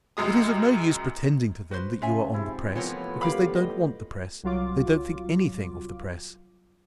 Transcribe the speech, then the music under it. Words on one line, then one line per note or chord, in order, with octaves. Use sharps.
It is of no use pretending to them that you are on the Press, because they don't want the Press; they don't think anything of the Press.
C#2 F#2 G#3 D#6
F#4 B4 C5
C#3 F4 E5 G#5
G#2 C3 F3 E4
A2 E3 F3 B3 A#4 C5 C#5
C#2 G2 F4 G4 A#4 F5 B5
D#5
C2 F#3 F4 D6